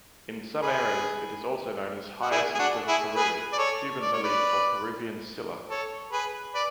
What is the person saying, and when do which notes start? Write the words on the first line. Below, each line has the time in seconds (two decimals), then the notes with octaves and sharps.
In some areas it is also known as hyacinth-of-Peru, Cuban-lily, or Peruvian scilla.
0.62 G#4 B4
2.22 F#4
2.31 E4 G#4
2.55 G#4
2.59 D4 F#4
2.88 E4 G#4
3.15 G#4 B4
3.53 D5
3.58 A4 C#5
4.01 D5
4.13 C#5
4.23 B4 D5
5.69 A4 C#5
6.12 G#4 B4
6.54 B4 D5